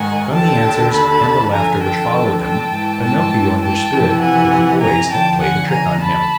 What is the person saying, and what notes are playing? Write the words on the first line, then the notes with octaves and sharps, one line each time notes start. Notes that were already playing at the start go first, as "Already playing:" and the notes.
From the answers and the laughter which followed them, Pinocchio understood that the boys had played a trick on him.
Already playing: G#2 D#3 F#5 G#5
D#2 D3 G5 A5
A5 B5
F2 D3 G#5 A#5
G5 A5
G5 A5
G#2 E3
G5 A5
G5 A5
F2 C3 E3
F#5 G#5
G#5 A#5
F2 D3 G5 A5
F#5 G#5
G#5 A#5
A5 B5